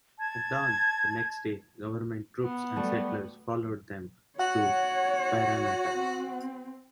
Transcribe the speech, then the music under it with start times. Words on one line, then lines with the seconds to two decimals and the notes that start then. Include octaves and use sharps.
At dawn the next day government troops and settlers followed them to Parramatta.
0.19 A5 G#6
2.43 B3
2.76 G3 A3 F#4
4.39 F#4 C#5 F#5
5.96 C4